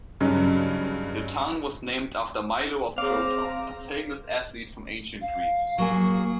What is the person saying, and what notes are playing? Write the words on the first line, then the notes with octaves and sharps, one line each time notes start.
The town was named after Milo of Croton, a famous athlete from Ancient Greece.
G2 C#3 F#3 C#4 D#4
C4 G#4 C#5 F5 A#5 D6
F5
F#3 A#3 G#4 C#6